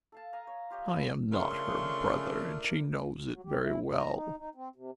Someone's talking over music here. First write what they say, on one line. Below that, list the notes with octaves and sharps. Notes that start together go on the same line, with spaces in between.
I am not her brother, and she knows it very well.
A4 F5 A5
F5 G#5 A#5 D#6
C#5
F4 G4 C#5 D#5
E4 G#4 A4 B4
G#3
C#3 A3 D4 F4 A#4 C6 C#6
F#3
G4
E4
G2
A#5
D#4
D#4
C4
C3